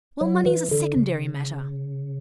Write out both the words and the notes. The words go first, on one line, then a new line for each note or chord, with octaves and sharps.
Well, money is a secondary matter.
F#3
E3
D3
C#3